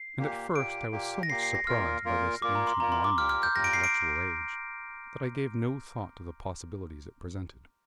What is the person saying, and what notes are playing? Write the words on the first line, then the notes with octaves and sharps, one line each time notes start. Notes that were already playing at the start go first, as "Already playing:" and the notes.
'And at first I was so much surprised by this ancient monument of an intellectual age, that I gave no thought to the possibilities it presented.
Already playing: C7
A#2 A#3 G4
A#2 A#3 G4 D7
A#2 A#3 G4
A#6
A#2 A#3 G4 C7
C7
A#6
A#2 A#3 F4 A#4 F6
A#2 A#3 F4 A#4
A#2 A#3 F4 A#4 D6
A#5
C6
A#2 A#3 F4 A#4 A#5
C6
D6
A#2 A#3 G4 A#4 F6
F6
G6
A#2 A#3 G4 A#4 A#6
D7
C7
D7